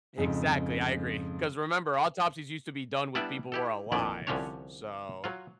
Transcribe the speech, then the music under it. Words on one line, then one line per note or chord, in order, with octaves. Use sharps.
Exactly. I agree, 'cause remember, autopsies used to be done when people were alive. So
F2 G#2 C#3
G3 B3 D4 E4 D5 E5
E4 G4 A4
A#1 F2 D#3 D4 E4 D5
C2 D3 F3 C#4 D4 C#5
F#3 F4